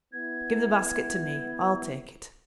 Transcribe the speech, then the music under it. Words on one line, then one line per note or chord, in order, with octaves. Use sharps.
'Give the basket to me,--I'll take it.'
B3 E4 G#6